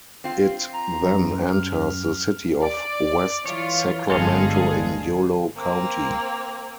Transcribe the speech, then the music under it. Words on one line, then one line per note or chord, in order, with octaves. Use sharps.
It then enters the city of West Sacramento in Yolo County.
C4 F4
A#5
F#2
F6
D5
E3 F4 C#5
G1 G2 G#3 G#4 A4 F5
A#3 C4